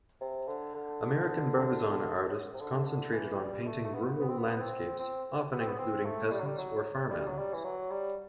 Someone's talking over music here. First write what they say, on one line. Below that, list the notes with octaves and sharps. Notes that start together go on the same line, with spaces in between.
American Barbizon artists concentrated on painting rural landscapes often including peasants or farm animals.
C3
D3
D3
C3
D3
D3
E3
G3
A3
A3
B3
B3
C4
B3
C4
C4
B3
C4
B3
C4
A3
G3
F#3
G3
F#3
G3
F#3
G3
E3
F#3
G3